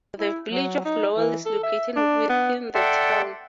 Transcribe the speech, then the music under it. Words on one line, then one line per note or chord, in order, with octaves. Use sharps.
The Village of Lowell is located within the town.
E4
F#3
D#4
E3
A4
E5
D4
B3
A4 D5 E5 F#5 G5 C6